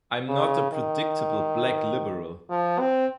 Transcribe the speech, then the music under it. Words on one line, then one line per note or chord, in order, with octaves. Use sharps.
I'm not a predictable black liberal.
C#3
D#3
F3
C4